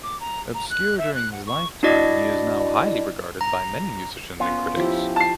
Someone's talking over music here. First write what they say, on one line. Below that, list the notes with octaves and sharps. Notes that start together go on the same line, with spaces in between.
Obscure during his lifetime, he is now highly regarded by many musicians and critics.
D6
A#5
A#5
F#6
E5
F#6
F#5
C#6
D4 E4 F#4 D5 D#5
A#5
B3 C#4 F4
F3 E4 G4
A5 C7